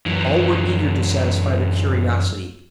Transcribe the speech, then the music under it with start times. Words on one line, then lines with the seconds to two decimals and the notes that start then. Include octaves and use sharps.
All were eager to satisfy their curiosity.
0.06 F#2 E3